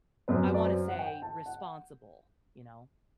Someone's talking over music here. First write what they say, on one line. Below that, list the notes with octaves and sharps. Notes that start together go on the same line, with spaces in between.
I wanna say, responsible, you know,
F#2 F#3 C4 B4
D5
C5
F#5
G5
A5
F#5